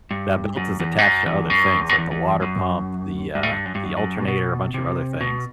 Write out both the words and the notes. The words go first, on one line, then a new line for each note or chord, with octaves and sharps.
That belt is attached to other things like the water pump, the, uh the alternator, a bunch of other things,
G2
F#2
E2
G2
F#2
E2
F#2
E2
F#2
E2
E2
F#2
G2
A2
G2
F#2
G2
F#2
F#2
C3
B2
C3
B2